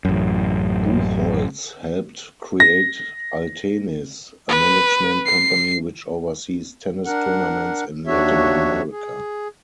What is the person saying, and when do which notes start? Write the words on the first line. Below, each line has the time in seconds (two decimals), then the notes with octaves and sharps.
Buchholz helped create Altenis, a management company which oversees tennis tournaments in Latin America.
0.05 A1 F#2
2.60 A#6
4.49 B4
5.26 C7
7.06 D4 A#4 F#5
8.07 D#2 D4 F#4 C#5 E5
8.92 G#4